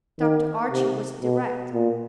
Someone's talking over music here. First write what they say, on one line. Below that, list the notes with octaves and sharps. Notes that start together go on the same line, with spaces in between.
Dr. Archie was direct.
D#3
C3
B2
A#2